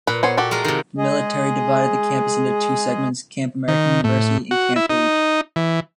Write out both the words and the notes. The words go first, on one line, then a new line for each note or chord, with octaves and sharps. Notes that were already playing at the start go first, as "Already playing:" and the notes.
The military divided the campus into two segments, Camp American University and Camp Leach.
A#2 B4
B3 C5 C#5
F#4 G4 A4
G#3 F4 A#4
C3 D#3
G#3 G#4 D#5
D#3
A2
F#4
E4
D#4
E3